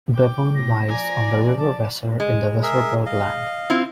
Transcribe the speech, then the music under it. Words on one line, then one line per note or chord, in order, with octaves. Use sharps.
Bevern lies on the River Weser in the Weserbergland.
G5 D6
A2 A#6
F3 D5 G#5 A#5
A5 D6
G#3
G#4 A#4 E5
D#5 F5
C4 E4 F4